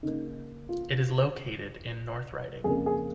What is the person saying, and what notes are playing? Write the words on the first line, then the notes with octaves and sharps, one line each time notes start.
It is located in Northriding.
C#3 A#3 D#4
F4
F2 C#3 A#3 G#4
G#4